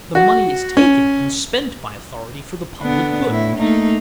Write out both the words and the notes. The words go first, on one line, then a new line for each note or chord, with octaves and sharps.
The money is taken and spent by authority for the public good.
F#4
C#4
D3 B3 D4
A2 E4
A3 A#3 D#4